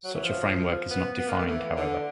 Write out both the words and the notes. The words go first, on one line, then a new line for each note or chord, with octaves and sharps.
Such a framework is not defined, however.
F#3
E3
F3
B3
B3
A#3
A3
E3
D3